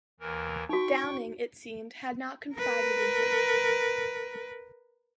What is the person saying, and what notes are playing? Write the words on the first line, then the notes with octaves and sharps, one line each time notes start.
Downing, it seemed, had not confided in him.
D#2 E3 A#4
D#4 F#4 G5 C#6
A#4 B4